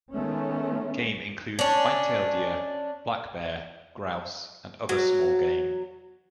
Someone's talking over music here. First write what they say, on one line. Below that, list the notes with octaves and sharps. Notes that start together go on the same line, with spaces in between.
Game include white-tail deer, black bear, grouse, and other small game.
D#3 G#3 A3 B3 C#4
C#4 D4
F#3